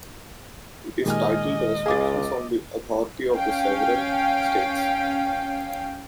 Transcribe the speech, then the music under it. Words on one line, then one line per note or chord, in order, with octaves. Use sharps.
It is titled, Restrictions on the Authority of the Several States.
A#2 D#3 G#3 G4 D#5 G#5 F6
C#2 G#4 F5 D6 A6
C#4 F5 G5